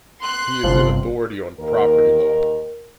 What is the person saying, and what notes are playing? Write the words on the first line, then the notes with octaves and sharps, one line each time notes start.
He is an authority on Property Law.
C6 F#6
G1 C3 F3
D#2 A#4